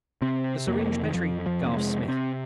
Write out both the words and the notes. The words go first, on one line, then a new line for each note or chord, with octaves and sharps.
"The syringe, Petrie!" gasped Smith.
C3 C4
F2 A#3
D#3
F2 F3
F3
C3 A#3
G#3
C3 C4